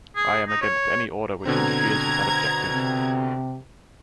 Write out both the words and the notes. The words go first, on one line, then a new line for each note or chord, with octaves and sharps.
I am against any order which interferes with that objective.
G#4
D#4
C#5
B2 D3 C4 A#5 G#6
C3